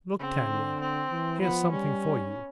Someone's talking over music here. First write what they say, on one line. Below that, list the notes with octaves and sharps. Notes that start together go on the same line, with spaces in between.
Look, Tanya, here's something for you!
C#3 C4
D3
C4
E3
F3 B3
G3 C#4